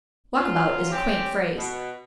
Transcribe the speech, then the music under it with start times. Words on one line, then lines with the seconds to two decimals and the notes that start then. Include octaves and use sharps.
Walk about is a quaint phrase.
0.38 F#3 C#4 F4
0.90 C4 C#4 G4
1.57 B2